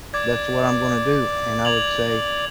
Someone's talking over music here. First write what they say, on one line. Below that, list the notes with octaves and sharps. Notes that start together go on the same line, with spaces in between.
that's what I'm gonna do," and I would say,
D5 D6 G#6
G#6 F7 F#7